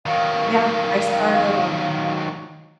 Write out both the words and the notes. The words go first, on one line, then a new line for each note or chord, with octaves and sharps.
Yeah, I started, um,
D#3 F#3 F5